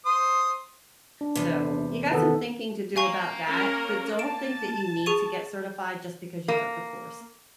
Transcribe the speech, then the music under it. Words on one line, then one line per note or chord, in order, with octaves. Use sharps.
So, you got some thinking to do about that, but don't think that you need to get certified just because you took the course.
C5 D#6
D4
E2 C3
D#3 B3 A4
A#3 F5 G#5 A#5 C#6
C#4 A#4
A5 D7 E7
G#4 C#6 D#7
A#3